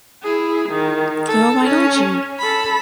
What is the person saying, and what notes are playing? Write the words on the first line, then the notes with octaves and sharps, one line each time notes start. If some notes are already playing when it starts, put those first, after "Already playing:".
Girl Why Don't You?
E4 G#4
D#3
A4
C#4
A4 B5